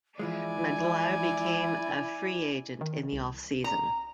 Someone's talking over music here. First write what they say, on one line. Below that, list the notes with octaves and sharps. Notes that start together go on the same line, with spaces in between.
Magloire became a free agent in the off-season.
E3 F3 G#3 E4 D5 G#5
D#3
C2
A#5